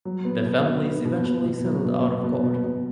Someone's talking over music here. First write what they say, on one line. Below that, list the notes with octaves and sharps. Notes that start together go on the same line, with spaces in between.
The families eventually settled out of court.
F#3
B3
B2
B2
B3
B2
B2
B2
F#3
B2
B2
B2
B2
B2